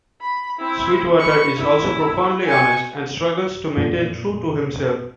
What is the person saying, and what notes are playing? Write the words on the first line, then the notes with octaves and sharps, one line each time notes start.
Sweetwater is also profoundly honest and struggles to maintain true to himself.
B5
C4 E4
B4 C#6
E4
G#5 C#6
F2 A#2